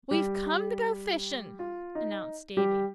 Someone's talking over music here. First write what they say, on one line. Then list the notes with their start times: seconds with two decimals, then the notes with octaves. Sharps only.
"We've come to go fishing," announced Davy.
0.11 G3 G4
1.59 F4
1.95 D#4
2.57 G3 G4